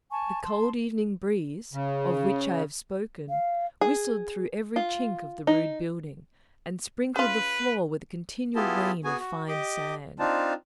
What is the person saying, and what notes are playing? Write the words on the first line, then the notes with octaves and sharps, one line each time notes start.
The cold evening breeze, of which I have spoken, whistled through every chink of the rude building and sprinkled the floor with a continual rain of fine sand.
G#5 A5 C#6
A5 C6
C#3
F5
G#4
F4
D#4
C#3 F4 B4
B3 E4 F4 G4 G#4 A5
B3 F#4 G#4 G#5
F#4
G4 D#5 D6
C4 D4 D#4 F4 A5